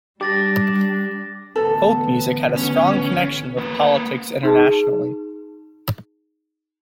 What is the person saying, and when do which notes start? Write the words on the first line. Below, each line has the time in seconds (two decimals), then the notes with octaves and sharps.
Folk music had a strong connection with politics internationally.
0.21 G3 D4 G4 D6 A6 A#6
1.56 A1 D3 B3 A4
2.56 C#4
3.59 A#3 B4
4.43 D#4 G#4 A5